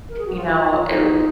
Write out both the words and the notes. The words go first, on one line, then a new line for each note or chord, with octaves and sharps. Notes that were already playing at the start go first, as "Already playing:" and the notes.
You know, it w
A#4
G#4
F#4
F4
F4
F4
D#4